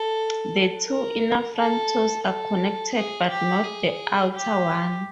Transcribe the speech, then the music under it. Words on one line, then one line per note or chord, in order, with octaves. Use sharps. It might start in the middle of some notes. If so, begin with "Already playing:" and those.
The two inner front toes are connected, but not the outer one.
Already playing: A4
A#4
A4
A4
G#4
G4
G#4
G4